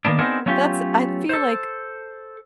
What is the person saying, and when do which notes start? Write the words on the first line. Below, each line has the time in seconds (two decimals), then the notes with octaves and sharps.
that's I feel like
0.05 D3 D#3 A#3 B3 D4
0.19 B3 C4 D4 D#4 G#4 A#4
0.46 F#3 A3 B3 C#4 F4 G4
1.29 A4 C5